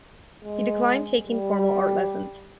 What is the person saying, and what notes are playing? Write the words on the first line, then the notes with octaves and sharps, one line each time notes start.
He declined taking formal art lessons.
G#3
G3